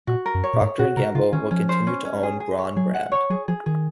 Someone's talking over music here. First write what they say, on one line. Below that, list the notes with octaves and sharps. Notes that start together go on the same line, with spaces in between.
Procter and Gamble will continue to own the Braun brand.
A#2 F#4
A#4
F#2
C#5
A#2
G#2 C#5
A#2 F#4
C3 A#4
C#3 F4
D#3 C#4
F3 C#4
C5
C#4
C#4
G#4
G#4
C#5
F#3 G#4
F#5
C#5
F#3 G#4
F3 G#4
D#3 G#4